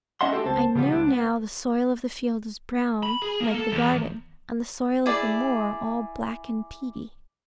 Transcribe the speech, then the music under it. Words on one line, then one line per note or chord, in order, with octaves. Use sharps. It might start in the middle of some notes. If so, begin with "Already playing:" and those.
I know now the soil of the field is brown, like the garden; and the soil of the moor all black and peaty.
C#4 D#5 E5 F#5 C6
A3 D4 F#4 G4 A4
C#2 C4 C5 A5
C#3 F3 G3 B3
C#2 D4
B3
B5
G#4
A#3
A4
E2
E4 G#4 D5